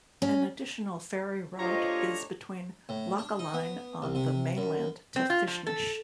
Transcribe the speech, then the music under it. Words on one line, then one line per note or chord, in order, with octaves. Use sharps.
An additional ferry route is between Lochaline on the mainland to Fishnish.
C#4
A3 D4 F4 G4 C5 C#5 D#5 A#5
A2
D4
D#4
B3
C2
C3
F#2
C4
F4
F3
A4